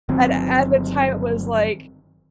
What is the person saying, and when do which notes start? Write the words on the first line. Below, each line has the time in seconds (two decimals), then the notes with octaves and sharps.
and at the time, it was like
0.09 G1 D#3 F#3 C4